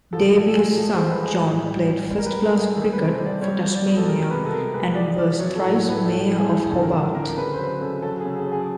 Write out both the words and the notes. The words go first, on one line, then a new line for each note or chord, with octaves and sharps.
Davies' son John played first-class cricket for Tasmania and was thrice Mayor of Hobart.
F3 A4
A#2 A4
A4
G#3 G#4
F3 A4
C5
F3
B4
G#3 G#4
A2
G3
G3
G3
A#4
B4
G3
A4
G3 G#4
D#3 A4
B4
C3
C5
G3
D5
G3 C#5
G3
D5
B2
A4
G#3 A#4
C3 B4
A4
C3 A#4
G#3 B4
F3 D5
F3 D5
F#3 C#5
A4
A2
C#5
A2
B4
G3 A4
A2
G#4
A2
D3 A4
A#4
D3 A4
D3 A#4
C#3 B4
C5
F#3 B4
C#3 A4
F#3 A4
G#4
C#3
G#4
F#3
G#4